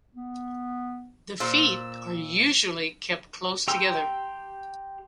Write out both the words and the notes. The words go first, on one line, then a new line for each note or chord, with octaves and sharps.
The feet are usually kept close together.
B3
A#2 C5 E6
G4 G5 A#5 C6 E6